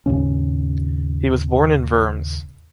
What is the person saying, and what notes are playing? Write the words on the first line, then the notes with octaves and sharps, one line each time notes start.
He was born in Worms.
D#2 G#2 C#3 C#4